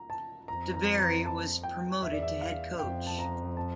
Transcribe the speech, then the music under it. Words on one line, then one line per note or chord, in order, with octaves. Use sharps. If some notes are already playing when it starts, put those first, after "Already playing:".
DeBerry was promoted to head coach.
Already playing: A#5
A5
F2 A#5
A#5
A#5
A5
G5
E2 E5
D5
E5
F5
F2 G5
A5
A#5
A5